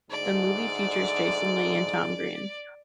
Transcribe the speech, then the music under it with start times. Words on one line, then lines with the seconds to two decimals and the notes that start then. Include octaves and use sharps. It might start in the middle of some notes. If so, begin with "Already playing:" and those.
The movie features Jason Lee and Tom Green.
0.11 D2 G#2 D3 D5